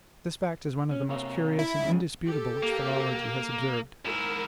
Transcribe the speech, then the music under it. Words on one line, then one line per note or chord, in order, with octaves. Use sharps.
This fact is one of the most curious and indisputable which philology has observed.
C#4
C3 A#3 C#5
E4
G#2 C#3
G4 A4
A#3
G#2 E4 A#4